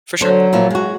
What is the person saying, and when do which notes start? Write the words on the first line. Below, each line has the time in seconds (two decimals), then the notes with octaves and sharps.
For sure.
0.21 D3 F#3 C5
0.53 A#2 F3 E4
0.71 G#3 F#4